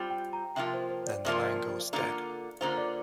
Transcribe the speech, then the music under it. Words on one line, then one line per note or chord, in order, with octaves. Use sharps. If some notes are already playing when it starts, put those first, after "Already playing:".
Then the line goes dead.
Already playing: G3 C4 F4 G5
G5
A#5
C3 F3 A#3 F4 G5
C5
C5
C5
D5
C3 F3 A#3 F4
D3 A#3 F4
D3 A#3 F4 C5
D5